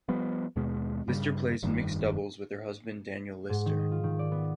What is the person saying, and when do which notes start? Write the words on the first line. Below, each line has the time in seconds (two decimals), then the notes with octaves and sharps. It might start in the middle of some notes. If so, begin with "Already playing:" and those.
Lister plays mixed doubles with her husband Daniel Lister.
0.08 F3 G3 B3
0.56 D#2 B2 G#3
1.08 G2 C#3 G3
1.63 F1 G2 D#3 G3
3.49 G#2
3.66 D#3
3.79 D#5
3.91 F4
4.04 D#3
4.19 D5
4.32 B3